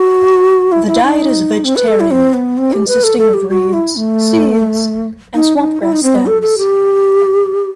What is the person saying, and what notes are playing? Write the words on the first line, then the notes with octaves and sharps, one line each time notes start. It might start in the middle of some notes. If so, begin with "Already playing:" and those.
The diet is vegetarian; consisting of reeds, seeds and swamp grass stems.
Already playing: F#4
E4
E4
D#4
C4
B4
A4
E4
C4
B3
C4
G4
B4
A4
A4
G4
F#4
E4
A3
D#4
D#4
E4
D#4
C4
B3
A4
A4
G4